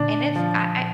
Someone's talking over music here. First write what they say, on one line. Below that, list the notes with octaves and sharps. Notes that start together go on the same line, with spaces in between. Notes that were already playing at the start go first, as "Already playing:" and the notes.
And it's I I
Already playing: A#2 D3 D4
F3